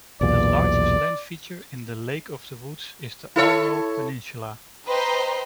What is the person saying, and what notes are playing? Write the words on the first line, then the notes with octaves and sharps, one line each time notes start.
The largest land feature in Lake of the Woods is the Aulneau Peninsula.
B1 E2 A#2 D5
E4 A4 C#5
B4 C5 D#5 G5 A#5 C6